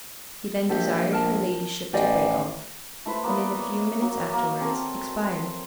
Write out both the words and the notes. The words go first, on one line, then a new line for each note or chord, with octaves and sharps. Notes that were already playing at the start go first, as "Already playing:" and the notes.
He then desired her ladyship to break off, and in a few minutes afterwards expired.
A#1 G4 A4
A#4 A5
A1 G4 D5 D#5
A3 E4 B4 C5
A#3 B3 D5
C#5
F#3 A#3
A#3
C4 A4 A#4 C#5